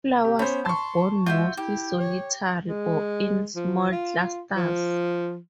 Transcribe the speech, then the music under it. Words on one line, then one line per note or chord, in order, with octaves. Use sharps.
Flowers are borne mostly solitary or in small clusters.
C4 G4
B3 C#4 C5 B5
A5 C6 C#6
G#3 F4 F#4 E5 G6
E4 G4
C#5
G#3
F3
F4
F3